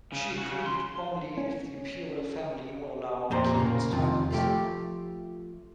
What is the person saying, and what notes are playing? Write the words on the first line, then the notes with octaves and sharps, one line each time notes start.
She agreed only if the imperial family were allowed to keep its titles.
C#3
F#4
C#3
C6
C#4
F2 A#2 G4 C5 A#5
A#2 C#3 A#3
F2 C3 D#3 F3
F3 A3 G4